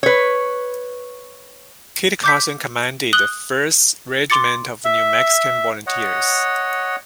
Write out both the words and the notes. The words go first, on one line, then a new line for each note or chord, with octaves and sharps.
Kit Carson commanded the First Regiment of New Mexican volunteers.
B4 C#5
D6 G6 B6
D#6 F#6 F#7 G7
C6 D6 A6 C#7
E5
C#5 D#5 F#5